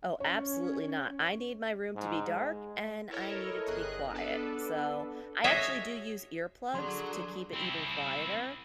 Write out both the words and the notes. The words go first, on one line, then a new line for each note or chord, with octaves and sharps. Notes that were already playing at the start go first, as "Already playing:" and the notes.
Oh, absolutely not. I need my room to be dark, and I need it to be quiet. So, I actually do use earplugs to keep it even quieter.
C#4 C#5
G#2
G#3
E4 A4 A#4 C#5 D#5
G1 G#4 D#5 F#6
B3 D4 A4 B4
F#4 G#4 C#5 D#5 E5
D3 F#3 G#4 C6
C4 E4